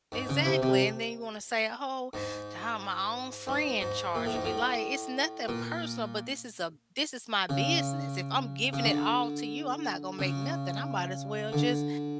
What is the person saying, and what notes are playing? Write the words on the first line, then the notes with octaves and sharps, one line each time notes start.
Exactly, and then you wanna say, "Oh, to have my own friend charging me," like, it's nothing personal, but this is a this is my business. If I'm giving it all to you, I'm not gonna make nothing. I might as well just
G#2
C#3
C3
C3
G#2
G#2
G#2
A#2
A2
G#2
A2
A#2
C#3
C#3
D3
C#3
D3